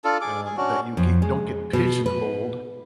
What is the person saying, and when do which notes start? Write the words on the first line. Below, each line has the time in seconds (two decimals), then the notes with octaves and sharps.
um, that you get don't get pigeonholed
0.04 D4 F4 A4
0.21 G#4 D6
0.45 G#4
0.57 C#4 D4 F#4
0.97 F2
1.22 G#3
1.73 B2
2.06 B4